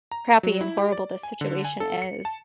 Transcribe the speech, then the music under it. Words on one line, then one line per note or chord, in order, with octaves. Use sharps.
crappy and horrible this situation is,
A#5
F#3
E4
G4
D5
G#5
D3
G#5
A4
C#7
A5